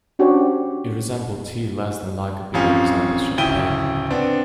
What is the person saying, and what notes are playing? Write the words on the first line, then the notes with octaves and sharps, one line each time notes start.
It resembled tea less than lager beer resembles champagne.
C#4 D4 F#4 G4 C5 C#5
A1 F2 F3 C#4 F5 D#6
D1 C#3 E4 G5 D#7 G7
B3 C4 D4